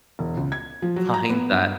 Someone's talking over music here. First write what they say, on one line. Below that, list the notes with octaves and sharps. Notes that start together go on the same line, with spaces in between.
find that,
E1
C#2
G#6
F3
F#3
A#5
B3
G2